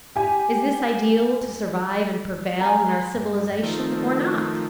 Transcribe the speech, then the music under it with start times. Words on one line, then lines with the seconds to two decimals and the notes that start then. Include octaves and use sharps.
Is this ideal to survive and prevail in our civilization or not?
0.16 G4 G#5
2.61 G#5 A#5
2.86 B4 C6
3.15 G2
3.63 D#3 F3 A3
3.92 C5